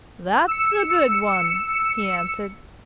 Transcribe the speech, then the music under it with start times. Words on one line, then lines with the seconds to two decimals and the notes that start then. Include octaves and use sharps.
'That's a good one,' he answered.
0.47 E6 C#7